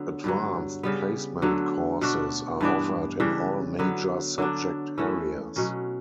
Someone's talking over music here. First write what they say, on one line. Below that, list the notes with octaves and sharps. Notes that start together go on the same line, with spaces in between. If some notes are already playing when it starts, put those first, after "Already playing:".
Advanced placement courses are offered in all major subject areas.
Already playing: D3 F#3 B3
G2 D3 F#3
C#3 G3 B3
D3 F#3 A3
B2 A3 D4 F#4
G2 E3 B3 D4
C#3 E3 G3 D4
D3 F#3 B3
D3 F#3 B3 D4
E3 A3 C#4 E4
B2 F#3 C#4